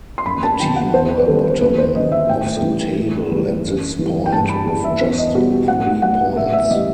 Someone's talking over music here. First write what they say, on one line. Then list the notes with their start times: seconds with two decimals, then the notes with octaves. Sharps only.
The team were bottom of the table at this point, with just three points.
0.18 C6
0.25 F#2 B5
0.43 A5
0.60 D#3 F#3 G5
0.76 F#5
0.94 E2 C5
1.17 B4
1.27 D#3 G3 A4
1.50 C5
1.61 D#2 B4
1.78 C5
1.95 D#3 F#3 D#5
2.12 E5
2.29 A2 G5
2.63 E3 G3
2.98 A2
3.32 E3 G3
3.64 F#2
3.99 E3 G3
4.26 G5
4.32 G2 A5
4.49 B5
4.67 E3 G3 A5
4.84 E5
5.01 E2 C5
5.18 D#5
5.34 B2 G3 F#4
5.51 G4
5.68 A2 F#5
6.02 F#3 F#5
6.36 A2 E5
6.53 E5
6.70 E3 G3 D#5